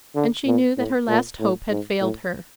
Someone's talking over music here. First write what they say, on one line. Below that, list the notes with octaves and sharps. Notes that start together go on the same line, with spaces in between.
And she knew that her last hope had failed her.
D3
A#2
A2
A#2
A2
G#2
A2